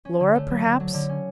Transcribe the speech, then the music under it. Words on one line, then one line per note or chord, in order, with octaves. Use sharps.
Laura perhaps....'
C#4
D3
A3
F#3
D3
F#3
D3
C#4